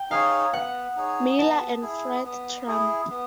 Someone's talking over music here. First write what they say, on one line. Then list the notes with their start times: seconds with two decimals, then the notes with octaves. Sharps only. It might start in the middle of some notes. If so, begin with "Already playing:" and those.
Miller and Fred Trump.
Already playing: G5
0.10 D#4 G#4 C#5 F5
0.53 B3 F#5
0.96 D#4 G#4 C#5
1.39 B3 A5
1.82 E4 G#4
2.25 B3
2.67 E4 G#4
3.10 B3